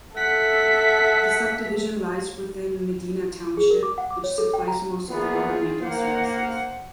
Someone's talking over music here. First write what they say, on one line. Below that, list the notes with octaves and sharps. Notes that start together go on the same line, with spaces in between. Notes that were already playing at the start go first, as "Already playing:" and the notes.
The subdivision lies within Medina Township, which supplies most of the governmental services.
A4 E5 F#5 B6
G#4
A#4
D6
F#5
D6
C#5
A4
G5
A#5
E2 A#3 B3 F4 G#4
A#3 C5 F#5